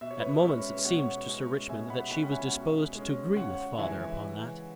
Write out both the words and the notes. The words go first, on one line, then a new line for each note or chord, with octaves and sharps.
At moments it seemed to Sir Richmond that she was disposed to agree with father upon that.
B2 E5
C#5
B4
C#5
G#3 C#4 B4 E5
B2 C#5 F#5
G#3 C#4
B2 E5 G#5
F#5 B5
G#3 C#4 F#5 B5
F#5
E5 G#5
B2
G#3 C#4
C#3 C#5 F#5
E3 G#3 E5 G#5